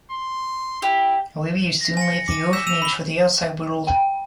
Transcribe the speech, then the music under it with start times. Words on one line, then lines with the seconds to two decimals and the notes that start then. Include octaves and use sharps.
However, he soon left the orphanage for the outside world.
0.12 C6
0.82 E4 G4
1.81 A#6
1.97 G#5 A#6 C#7
2.28 D6 D#7
2.53 E6 G6 B6 E7
2.67 E6 D#7 F7
2.82 B5 G7
3.87 G5